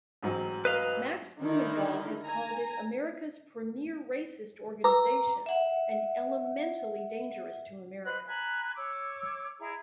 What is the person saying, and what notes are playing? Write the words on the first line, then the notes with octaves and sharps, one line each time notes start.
Max Blumenthal has called it America's premier racist organization and elementally dangerous to America.
A1 G#2 F#3
B4 D#5 F5
D3 D#3 D#4 E4
G#5 A#5
B4 A#5 D6 E6
E5 F#5
B4 C5 D#5 F#6
G#5 A#5 B5 F#6
C#5 D6 E6
E4 G#4 D#5 A#5